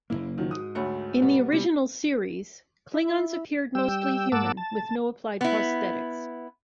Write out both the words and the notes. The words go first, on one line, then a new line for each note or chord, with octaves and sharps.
In "The Original Series", Klingons appeared mostly human, with no applied prosthetics.
F#1 E2 A#3 E4
D#3 F3 F#3
G#2 F#4 D#6
D2 A3 F#4 C#5 B5
B2 G3 B3
C3 G3 G#3 B3
E4
G3 G5 E6
G#2 A#3 F#5 A5 D6 E6
A5
B3 E4